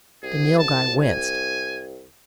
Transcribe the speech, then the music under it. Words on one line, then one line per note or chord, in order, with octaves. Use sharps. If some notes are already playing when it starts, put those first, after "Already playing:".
The Nilghai winced.
C2 G#4
A5
G#5